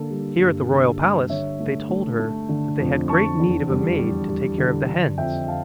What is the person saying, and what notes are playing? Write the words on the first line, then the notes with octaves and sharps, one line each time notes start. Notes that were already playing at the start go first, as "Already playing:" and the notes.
Here at the royal palace they told her that they had great need of a maid to take care of the hens.
Already playing: D3 A#3 A4
G3
G2
D3
G3
D3 C#5 E5
A3
A3
A3
D3
F2
D3 A5 C#6
E2
G3
G3
G3
D3
D3
F2 E5 G5
F5 A5